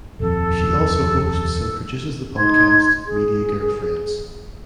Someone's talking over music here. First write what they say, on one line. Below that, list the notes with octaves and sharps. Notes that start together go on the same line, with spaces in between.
She also hosts and produces the podcast Media Girlfriends.
D#1 F2 A4
D#4 C6 G#6
G#4